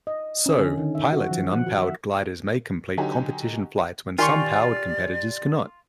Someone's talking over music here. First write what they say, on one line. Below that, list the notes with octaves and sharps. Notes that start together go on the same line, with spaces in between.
So, pilots in unpowered gliders may complete competition flights when some powered competitors cannot.
D#5
C#4
D3
D#3
E5
F#4
F3
F#5
F#4
E5
D3 F#3 D#4 G4 G#5
D#3 F4 G4 D5 G#5 C6 C#6